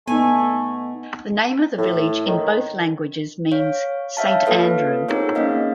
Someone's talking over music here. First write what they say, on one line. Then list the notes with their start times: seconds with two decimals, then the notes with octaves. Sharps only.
The name of the village in both languages means "Saint Andrew".
0.08 A3 B3 D#4 G#5
1.78 A2
2.26 D#3
3.52 C#5 F5
4.17 C#5 E5 F5 A5
4.46 A#3 F4 A4 B4 F5
5.08 C4 D#4 G#4 A#4 C#5
5.35 A#3 C#4 D#5 F5